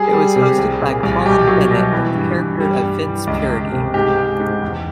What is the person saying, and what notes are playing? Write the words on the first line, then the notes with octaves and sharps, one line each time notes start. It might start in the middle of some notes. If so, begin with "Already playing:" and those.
It was hosted by Colin Bennett in the character of Vince Purity.
Already playing: G3 G#4
G3
C3
C2
A#2
C2
B2 G4
F#3
B2
E3
G2
G2
G3
G2
E3
C#2
C#2
C3
G#2 G4
G#3
G#2
E2